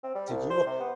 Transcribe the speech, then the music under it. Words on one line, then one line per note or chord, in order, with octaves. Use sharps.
Did you w
C4
G3
C2
C5
C3
B3